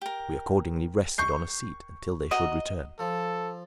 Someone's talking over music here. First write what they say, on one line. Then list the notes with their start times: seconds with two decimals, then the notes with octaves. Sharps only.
We accordingly rested on a seat until they should return.
0.02 G4 A#4
1.18 C#6 G6 C7
2.31 F#4 D#5 A#5
2.99 F3 A4